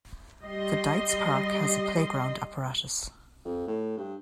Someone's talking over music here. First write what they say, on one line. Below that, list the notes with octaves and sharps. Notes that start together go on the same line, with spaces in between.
The Dietz Park has a playground apparatus.
G3 D#5 C6
F2
A2
G2